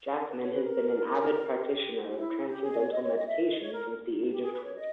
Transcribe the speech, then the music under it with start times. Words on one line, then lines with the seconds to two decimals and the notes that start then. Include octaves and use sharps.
Jackman has been an avid practitioner of Transcendental Meditation since the age of twenty.
0.17 A#4
0.29 B4
0.40 C#5
0.51 B4
0.64 A#4
1.54 G4
2.01 E4
2.09 G4
2.16 E4
2.47 G4
2.62 G#4
2.72 D#5
2.78 C#5
2.92 D#5
3.03 C#5
3.16 D#5
3.27 E5
3.50 D#5
3.62 C#5
3.72 A#4
4.30 G4
4.42 G#4
4.53 B4
4.64 C#5
4.75 D#5